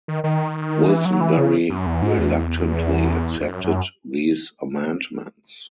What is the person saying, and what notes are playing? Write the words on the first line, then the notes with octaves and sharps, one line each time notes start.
Wilson very reluctantly accepted these amendments.
D#3
D#3
E3
F#3
E3
C#3
F#2
E2
G#2
E2
E2
F#2
F#2